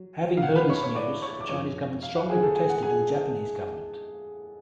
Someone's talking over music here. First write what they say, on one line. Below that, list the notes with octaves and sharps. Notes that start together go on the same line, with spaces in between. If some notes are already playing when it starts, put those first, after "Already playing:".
Having heard this news the Chinese government strongly protested to the Japanese government.
Already playing: F#3
F5
F#5
B4 B5
C#5 C#6
B5
C#5 C#6
D5 D6
C#5 C#6
D6
F#2 F3 C#5 C#6
F5
F#5
G#4 G#5
A4 A5
G#4 G#5
F#5
G#4 G#5